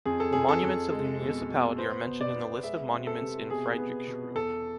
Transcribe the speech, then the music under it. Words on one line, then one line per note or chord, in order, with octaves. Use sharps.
The monuments of the municipality are mentioned in the list of monuments in Friedrichsruhe.
F2 G#4
A4
F2 G#4
A4
F2
G#3
B2
B2
B3 C5
B2
D5
B3
G#3 E5
C4
A4
C3
B2 G#4
B3
B2
E2 A4